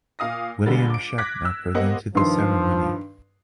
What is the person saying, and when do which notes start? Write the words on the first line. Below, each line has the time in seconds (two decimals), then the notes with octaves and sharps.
William Shatner presented the ceremony.
0.19 A#2 F5 D#6 A#6
0.66 A#1 D3 G3 G#3 B4 A6
0.90 D6 D7
1.18 D6 F#6 G#6 A#6 B6
1.45 E6
1.74 A#3 B3 G4 C5 D#5 F#5
2.15 G2 D#3 F3 C6